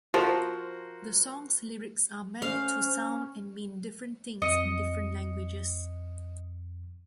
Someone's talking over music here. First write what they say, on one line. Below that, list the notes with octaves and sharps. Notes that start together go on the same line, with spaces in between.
The song's lyrics are meant to sound and mean different things in different languages.
F3 F#4 A#4 C5
C#4 C5 F5
C#4
F2 D#5 C#7